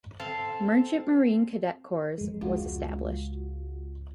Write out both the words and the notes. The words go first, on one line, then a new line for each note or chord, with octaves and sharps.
Merchant Marine Cadet Corps was established.
C4 A4 F5 C6
F2 G#3
C#2 G#3 F4 F#4